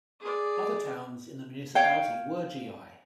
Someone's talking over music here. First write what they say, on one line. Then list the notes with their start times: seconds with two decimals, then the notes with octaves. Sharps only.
Other towns in the municipality were Gl.
0.20 G#4 D5
1.75 C#5 F5 G5